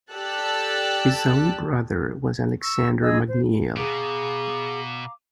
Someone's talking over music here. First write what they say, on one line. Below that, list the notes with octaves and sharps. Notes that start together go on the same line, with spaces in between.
His own brother was Alexander McNeill.
G4 A4 D5 A5 E6 F#6
C#6 E6
G#4 D#5 E6
C5
B2 G#4 F5 A#5 D6